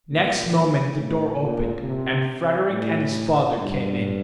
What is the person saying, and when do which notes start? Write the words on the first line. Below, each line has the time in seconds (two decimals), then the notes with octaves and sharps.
Next moment the door opened, and Frederick and his father came in.
0.11 A#2
0.98 A2
1.41 A#2
1.84 C3
2.70 A2
3.57 G2